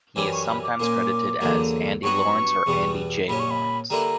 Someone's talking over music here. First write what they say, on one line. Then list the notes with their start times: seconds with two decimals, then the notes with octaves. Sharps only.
He is sometimes credited as Andy Lawrence or Andy J. Lawrence.
0.16 F#2 E3 G3 C#4 D6
0.32 C#6
0.48 B5
0.63 D6
0.79 A#2 A#3 C#4
1.41 E2 D3 F#3 A#3
2.03 G2 F#3 B3 F#4 B4 C#6
2.66 E2 B2 G3 B3
3.28 A#2 G3 C#4 B5
3.40 C#6
3.50 B5
3.90 D3 G3 A#3 E4 B4 A#5